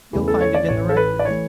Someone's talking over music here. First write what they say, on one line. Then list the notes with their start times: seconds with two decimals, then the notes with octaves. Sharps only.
You'll find it in the records.
0.13 E2 C#3 E3 A3
0.28 A4
0.41 C#5
0.54 D5
0.69 A1 A2 E3 C#5
0.89 A4
0.97 B4
1.19 D5
1.25 E3 A3 C#5